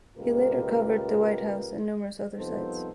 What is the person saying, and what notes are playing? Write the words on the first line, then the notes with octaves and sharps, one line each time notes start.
He later covered the White House and numerous other sites.
C#2 A#2 F4 G4 A#4 B4
C2 F3 B3 D#4 A4 C5